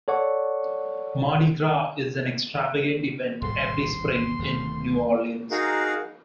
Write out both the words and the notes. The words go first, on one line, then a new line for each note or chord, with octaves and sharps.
Mardi Gras is an extravagant event every spring in New Orleans.
A4 C#5 D5 F#5 C#6
D#1 G#1 A2 C6
D1 D#3 A3
D#4 F#4 G#4 A#4 F5 F#5